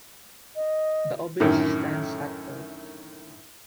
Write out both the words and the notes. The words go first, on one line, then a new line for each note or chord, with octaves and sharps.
The obelisk stands at tall.
D#5
F#2 A2 D3 D#3